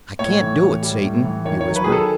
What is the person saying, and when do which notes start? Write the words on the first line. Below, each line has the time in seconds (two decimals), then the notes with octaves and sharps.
"I can't do it, Satan," he whispered.
0.19 A2 C#5
0.41 E3
0.62 A2
0.83 G3
1.03 A2
1.24 E3
1.45 D#3 C#5
1.61 C#5
1.66 F#3
1.76 B4
1.84 G#4
1.87 D#3 A4